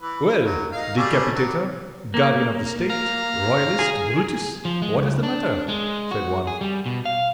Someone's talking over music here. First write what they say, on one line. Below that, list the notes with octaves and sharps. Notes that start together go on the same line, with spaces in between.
"Well, Decapitator, Guardian of the State, Royalist, Brutus, what is the matter?" said one.
E3 B4
F#3
D#4 F5
G3 A3 G#4
F#3
A#3
F5 A#5
G#4
F3
G#3
C#2
D4
G#3
F#4
G#4
G3
B2
F5